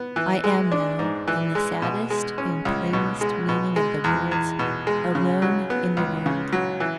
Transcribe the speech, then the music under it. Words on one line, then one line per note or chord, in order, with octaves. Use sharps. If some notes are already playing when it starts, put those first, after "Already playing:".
I am now, in the saddest and plainest meaning of the words, alone in the world.
Already playing: B3
E3
G#3
D4
G#2
E3
G#3
B2
G#3
C#4
C#2
B2
G#3
B2
G#3
E2
E2
B2
G#3
C#3
F#3
B3
C#2
C#3
F#3
E3